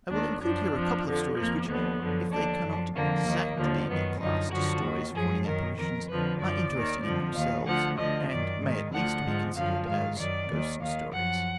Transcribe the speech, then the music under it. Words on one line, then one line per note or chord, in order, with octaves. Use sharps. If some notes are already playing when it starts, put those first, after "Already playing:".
I will include here a couple of stories which, if they cannot exactly be classed as stories of warning apparitions, are interesting in themselves, and may at least be considered as ghost stories.
D#2 D#3 D4
F#2 F3 D4
F2 F3
F2 D3 F3
F2 F3 A#3
D#2 D3 F3 B3
F#2 D3 F3
D#2 D3 F3 D4
F#2 F3
F2 D3 F3 A#3
D#2 D#3
D#2 D3 F3
F#2 D#3 B3
F#2 D3 F3 D#4
F#2 D3 F3 F#4
D#2 D#3
F#2 F3 G#4
F#2 D#3 A#4
F2 D#3 A#4
F2 D3 F3 B4
F#2 F3 D5
D#2
D#3
F2 D3 F3
D#2 D#3 F5
D2 D3 F3 F#5
D2 D3 F3 D#5
F#2 D#3 D5
G#2 D#3
D2 D3 F3 F#5
G#2 F3
F#2 D3 F3 F5
G#2 D#3 F5
F#2 D#3 D5
D#2 D#3
D#2 D#3 F5
F#2 F3 F#5